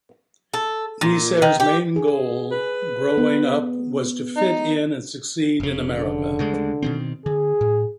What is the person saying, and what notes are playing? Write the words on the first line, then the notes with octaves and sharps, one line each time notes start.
Neisser's main goal growing up was to fit in and succeed in America.
A4
A#2
D#3
G4
G#4
B4
B3
D#4
F1 C#3
D3
D2 C#3 G#3
B2 D#3 C4
D3 G#4
A2